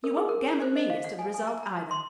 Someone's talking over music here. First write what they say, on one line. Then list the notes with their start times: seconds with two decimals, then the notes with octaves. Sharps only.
You won't gammon me as to the result, either.
0.04 A#4
0.17 G#4
0.29 A#4
0.62 C5
0.76 D#5
0.90 F5
1.04 F#5
1.19 G#5
1.34 G#5
1.47 A#5
1.63 A#5
1.77 A#5
1.91 C6